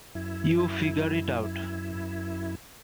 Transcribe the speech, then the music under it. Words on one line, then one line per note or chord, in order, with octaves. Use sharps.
You figure it out.
F#2 E4